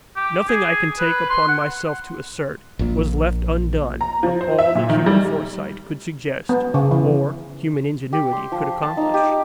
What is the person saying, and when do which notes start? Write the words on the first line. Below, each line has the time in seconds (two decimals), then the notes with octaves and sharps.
Nothing, I can take upon myself to assert, was left undone of all that human foresight could suggest, or human ingenuity could accomplish.
0.16 G4
0.48 G#4
0.99 B4
1.30 C6
1.48 F#5
2.79 A#1 A#2
4.01 A#5
4.23 F3
4.41 C5
4.59 E5
4.75 A#2
4.89 D#3
5.06 G3
6.49 B3
6.74 C#3
6.91 E3
8.13 G4
8.33 C6
8.52 F3
8.83 A5
8.97 D#4
9.14 G4